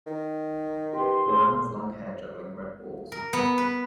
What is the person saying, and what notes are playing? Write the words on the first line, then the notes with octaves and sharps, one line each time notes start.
A man with long hair juggling red balls.
D#3
G4 B4 C6
G#4 C5
A#4
B3
B4